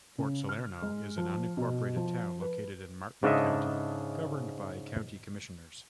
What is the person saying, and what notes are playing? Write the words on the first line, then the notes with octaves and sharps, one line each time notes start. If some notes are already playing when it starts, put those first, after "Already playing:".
Port Salerno is an unincorporated town located in Martin County, governed by County Commissioners.
C#3
F6
G#3
F3
B2
F3
B4
G#2 C#3 D4 A4 D#5 E5